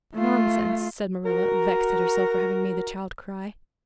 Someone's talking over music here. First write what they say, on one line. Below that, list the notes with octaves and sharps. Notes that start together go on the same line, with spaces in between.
"Nonsense," said Marilla, vexed at herself for having made the child cry.
A3 F4
F#4 A#4